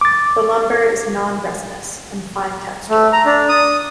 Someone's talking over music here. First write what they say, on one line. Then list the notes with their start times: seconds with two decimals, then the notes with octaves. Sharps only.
The lumber is non-resinous and fine textured.
0.01 D6 A6
2.90 A3
3.13 A#5
3.25 D4
3.49 D#6